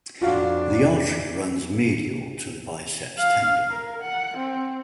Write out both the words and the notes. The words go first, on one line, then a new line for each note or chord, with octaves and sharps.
The artery runs medial to the biceps tendon.
F2 D4 F4 F#4 F5
F5
A#4
F#5
C4